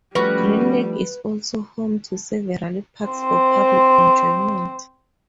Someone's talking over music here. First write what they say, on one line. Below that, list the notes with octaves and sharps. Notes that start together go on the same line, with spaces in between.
Green Lake is also home to several parks for public enjoyment.
F3 G3 A3 C#4 F#4 B4
C4 C5